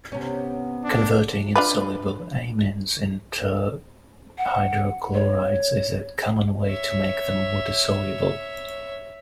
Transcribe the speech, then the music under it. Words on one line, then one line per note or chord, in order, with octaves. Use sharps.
Converting insoluble amines into hydrochlorides is a common way to make them water-soluble.
C3 B3 C#4
D4
D4 F4 B4
F#5
C#5
C#5 E5